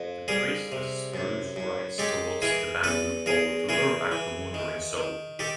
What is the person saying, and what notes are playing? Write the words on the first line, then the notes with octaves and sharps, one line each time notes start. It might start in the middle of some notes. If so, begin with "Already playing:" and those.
The priestess strews rice towards the bamboo pole to lure back the wandering soul.
Already playing: F2
G3 G#4 A#4
C3
F#2
F#2
G#3 G4 A4
E3 G#4 A#4
E2 A4 B4
E2 G#4 A#4
E3 G#4 A#4
E3
D#3
D#3
D#3 G4 A4